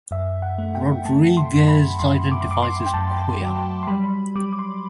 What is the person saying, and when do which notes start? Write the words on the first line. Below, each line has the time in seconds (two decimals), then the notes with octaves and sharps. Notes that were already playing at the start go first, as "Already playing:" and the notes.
Rodriguez identifies as queer.
0.11 F#2 E5
0.42 F#5
0.58 A3
0.75 G5
1.05 A3 A5
1.37 C6
1.53 F#2
1.68 B5
1.99 F#2 C6
2.31 D6
2.41 C6
2.47 F#2 D6
2.62 C6
2.86 G5
2.94 F#2 A5
3.41 F#3
3.83 C6
3.87 G3 B5
4.36 G3 D6
4.53 D6
4.59 C6